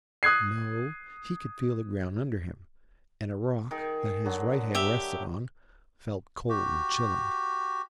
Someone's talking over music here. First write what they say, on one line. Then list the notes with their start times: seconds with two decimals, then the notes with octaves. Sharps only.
No, he could feel the ground under him, and a rock that his right hand rested on, felt cold and chilling.
0.23 D#6 F#6 G#6 C7
3.71 D#3 G#4
4.25 D3 F#3
4.75 G4 E5
6.49 F#4 G4